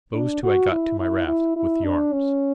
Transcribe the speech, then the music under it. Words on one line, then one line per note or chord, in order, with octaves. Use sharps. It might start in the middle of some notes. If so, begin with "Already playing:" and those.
Those two I got to my raft, with the arms.
D4
F#4
E4
E4
E4
E4
D4
C#4